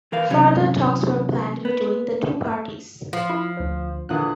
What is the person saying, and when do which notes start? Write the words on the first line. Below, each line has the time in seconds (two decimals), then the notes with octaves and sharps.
Further talks were planned between the two parties.
0.12 E3 A#4 F5
0.30 C3 E3 F#3 C#4
1.65 B3
3.13 F3
3.30 E4 F4
3.57 D2 C5
4.09 E2 A#2 D3 D#6 F#6